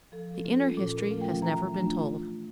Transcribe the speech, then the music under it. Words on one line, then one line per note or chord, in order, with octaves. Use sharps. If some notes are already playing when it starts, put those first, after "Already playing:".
The inner history has never been told.
F3 A4
A4
C#4 F4
A4
A#2 A4
A4
A#4
F3 A3 C#4 F4
G5
E3 A#5
A3 D4 F4